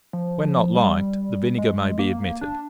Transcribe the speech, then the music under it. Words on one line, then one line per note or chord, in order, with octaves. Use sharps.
When not liked, the vinegar may be omitted.
F3
G3
G#3
A#3
D4